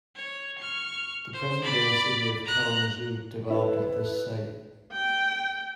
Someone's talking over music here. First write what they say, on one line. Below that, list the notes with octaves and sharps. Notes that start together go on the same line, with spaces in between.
The present-day city of Kalamazoo developed at this site.
C#5
C#6 F6
C5
D5 B5
A#5 F#6
E4 A4 B4
G5